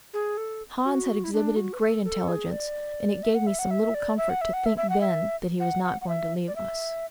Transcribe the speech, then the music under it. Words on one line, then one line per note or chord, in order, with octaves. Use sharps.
Hans had exhibited great intelligence, and it gave me some little comfort to think then that he was not going to leave us.
G#4
A4
F#4
E4
D4
F#4
B4
A4
A4
G#4
D5
E5
F#5
E5
F#5
E5
D5
E5
F#5
E5
F#5
E5
E5
F#5
E5
F#5
F#5
F#5
E5
D5
E5